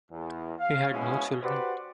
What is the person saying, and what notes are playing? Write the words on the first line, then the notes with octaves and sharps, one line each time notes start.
He had no children.
E2
F5
G#2 B2 G#3 C#4 E4 G#4
F#4 G4 B4 C5 D5 F#5